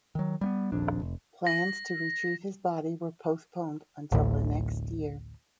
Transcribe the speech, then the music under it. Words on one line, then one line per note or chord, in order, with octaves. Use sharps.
Plans to retrieve his body were postponed until the next year.
D#3 F#3
G3 A#3 B3
D#1 A#1 F2 D4
F1
A#6
A1 D2 A2